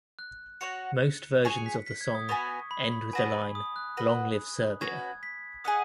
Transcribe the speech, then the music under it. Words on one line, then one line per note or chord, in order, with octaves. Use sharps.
Most versions of the song end with the line "long live Serbia!".
F#6
F#4 C#5 F#5 C#7
G#4 C#5 G#5 C#7
B6
B6
G#6
D#6
B3 F#4 B4 G#5 C#6
B5
B5
B3 F#4 B4 G#5
G#5
B5
D#6
F#6
F#4 B4 F#5
C#4 F#4 B4 G#6
B6
G#4 D#5 F#5 D#6